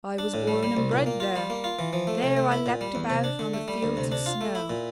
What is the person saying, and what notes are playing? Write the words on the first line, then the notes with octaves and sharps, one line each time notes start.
"I was born and bred there--there I leapt about on the fields of snow."
D4
A2
G3
G3
C2
A#2
A#3
F4
G3
A#3
F4
E3
F3
A3
C3
A3
E4
A#2
G3
E2
C3
D4
D3
A3
G3
D2
C3
D4
F4
A3
E4
A#2